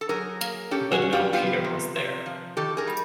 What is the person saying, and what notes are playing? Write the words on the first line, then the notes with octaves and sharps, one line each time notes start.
But no Peter was there.
A4
F#3 G#4 A#4
A#3
C#4 G4 A4
F#4 G#4
C#4
F4 G4
B3 F4 G4
C3
C3
F3
D#3 G4 A4
G#4 A#4
G3